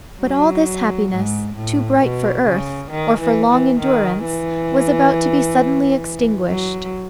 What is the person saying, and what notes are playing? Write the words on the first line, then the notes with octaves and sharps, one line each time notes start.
But all this happiness, too bright for earth, or for long endurance, was about to be suddenly extinguished.
F#3
G#2
A2
B2
C#3
D#3
E3
E3
D#3
E3
F#3